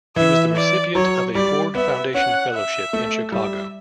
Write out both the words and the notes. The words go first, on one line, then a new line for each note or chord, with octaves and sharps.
He was the recipient of a Ford Foundation fellowship in Chicago.
E3 E5
D5
F#3 C#5
G3 D5
B3 E5
C#4 F#5
E5
A3
G3 E5